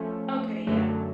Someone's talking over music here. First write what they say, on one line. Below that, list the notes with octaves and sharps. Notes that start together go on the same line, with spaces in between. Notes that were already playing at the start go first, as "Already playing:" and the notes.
Okay, yeah.
Already playing: F3 A3 C#4
F#2 D3 F#3 A3